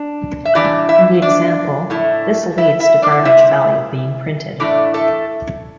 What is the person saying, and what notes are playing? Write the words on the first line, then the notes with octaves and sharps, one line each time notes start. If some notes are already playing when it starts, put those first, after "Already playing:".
In the example, this leads to garbage value being printed.
Already playing: D4 D5
E5
A2 E3 G3 D4 E4 D5
E4 E5
D4 D5
A2 A3 E4
E4 E5
E4 E5
D4 D5
C3 G3 C4 E4 E5
A2 E3 A3 D4 E4 D5
A3 A4